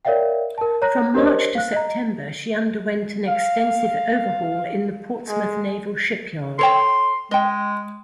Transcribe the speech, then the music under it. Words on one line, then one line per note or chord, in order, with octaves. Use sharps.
From March to September she underwent an extensive overhaul in the Portsmouth Naval Shipyard.
A#4 C#5 D5 E5 F5 G5
A#4 A5
C#5 A#5 F#6 A#6
D4 G4 A#4 C5 C#5 D#5
F5 F#6
D#5 A#5
F5
G#3
A4 C#5 G5 C6
G#3 D#5 G5